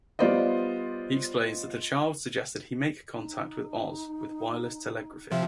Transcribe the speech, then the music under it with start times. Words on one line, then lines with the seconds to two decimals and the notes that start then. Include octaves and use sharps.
He explains that a child suggested he make contact with Oz with wireless telegraphy.
0.19 G3 B3 F4 C5 D5 D#5
3.15 D#4
5.31 C3 F3 E5